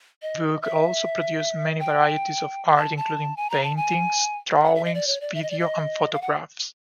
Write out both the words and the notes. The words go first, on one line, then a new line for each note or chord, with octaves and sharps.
Voog also produced many varieties of art, including paintings, drawings, video, and photographs.
D#5
E5
G5
A5
A5
G#5
A#5
A5
G#5
F#5
E5
D#5
D5
C#5
D5
E5
D#5
D5
D#5
F5
F#5